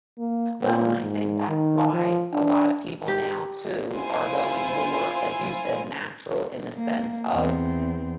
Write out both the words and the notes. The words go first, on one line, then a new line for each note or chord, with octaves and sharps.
Well and I think that's why a lot of people now, too, are going more, like you said, natural in the sense of
A#3
A#2
G#2
D#3
F3
D4
G4
E4 F4 C5 G#5
A#3
E2 C4